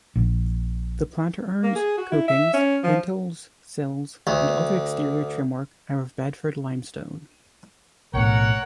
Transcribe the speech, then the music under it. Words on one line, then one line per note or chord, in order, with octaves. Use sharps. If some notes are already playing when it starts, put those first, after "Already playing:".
The planter urns, copings, lintels, sills and other exterior trimwork are of Bedford limestone.
A#1
A#3
G#4
F#4
E4
E5
C#4
F3
D2
B1 A2 A#4 C#5 F#5